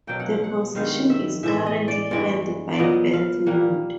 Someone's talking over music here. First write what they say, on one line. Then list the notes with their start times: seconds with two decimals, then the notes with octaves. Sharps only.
The position is currently held by Beth Wood.
0.07 B2 F#3 A#3 G5
0.20 F#5
0.31 F5
0.44 F#5
0.75 G2 D#3 G#3 B3 F5
1.10 E5
1.43 A2 E3 G#3 E5
1.67 D#5
1.88 D5
2.11 G2 E3 G#3 B3 D5
2.73 D5
2.78 A#2 F#3 B3 D#5
3.13 F5
3.46 A#2 G3 A#3 F#5